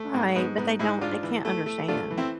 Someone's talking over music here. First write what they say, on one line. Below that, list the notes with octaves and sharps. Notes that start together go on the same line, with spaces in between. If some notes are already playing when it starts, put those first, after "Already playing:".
Right, but they don't they can't understand.
Already playing: A3
G#2 C4
G#2 B3
G#2 B3
G#2 E4 G#4
G#2 D4 F4
E3
A3
A3
A3 D4 F4
E3
C4 E4